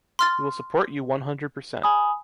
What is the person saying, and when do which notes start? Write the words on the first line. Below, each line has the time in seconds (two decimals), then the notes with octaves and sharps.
We will support you, one hundred percent!
0.19 C6 F6 A6
1.83 G#5 B5 D#6